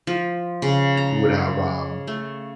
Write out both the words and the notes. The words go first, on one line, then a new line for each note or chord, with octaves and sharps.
we would have, um,
F3
C#3
A#5
A3